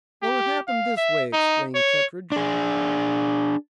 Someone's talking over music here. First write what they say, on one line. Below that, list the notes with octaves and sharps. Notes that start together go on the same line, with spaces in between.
"Well, it happened this way," explained Kettridge.
G4
F5
E5
D#4
C#5
D4 G#4